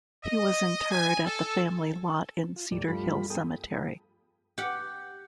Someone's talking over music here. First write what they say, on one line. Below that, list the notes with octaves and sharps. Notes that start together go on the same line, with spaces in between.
He was interred at the family lot in Cedar Hill Cemetery.
D#5
G#5
A4
F4
D#2 A2 G3 D5
G2 F3 G3 A3 F4 B5
B3 G#4 A4 G5 D#6
G4 F#5